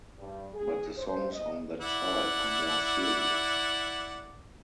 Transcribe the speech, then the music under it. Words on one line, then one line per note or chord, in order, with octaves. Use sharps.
But the songs on that side are more serious.
G2
G#4
C5
D#5
E4 D5 F#5